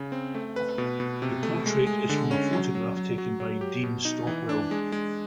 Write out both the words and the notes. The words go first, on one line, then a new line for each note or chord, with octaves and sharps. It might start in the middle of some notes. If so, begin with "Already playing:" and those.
The portrait is from a photograph taken by Dean Stockwell.
Already playing: C#3
C4
A3
B4
B2
B2
C3
A3
G#3
G#3
D3
C#4
F#3
F#3
F#3
F#3
F#3
G4
B2
D#4
E3
D4
G#3
G#3